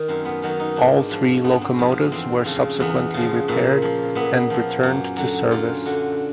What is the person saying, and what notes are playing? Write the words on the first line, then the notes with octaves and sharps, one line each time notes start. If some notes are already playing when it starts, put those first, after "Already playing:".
All three locomotives were subsequently repaired and returned to service.
Already playing: D#3
F#2 C4
B3
D#3 F#3 C#4
D#4
G#2 D4
F3
G#2 B3
C4
F3 B3
E2 C4
C#3 F3 C4
E2 B3
C#3 F3
A#2
F3
A#2 B3
F3
F#2
D3 F#3
F#2 F4
D3 F#3